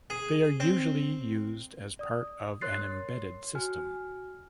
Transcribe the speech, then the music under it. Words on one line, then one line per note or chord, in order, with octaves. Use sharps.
They are usually used as part of an embedded system.
G#4
C4
D5 D#6
A#4 C#5 C6 F#6 A6 C7
F#4 G#5 F6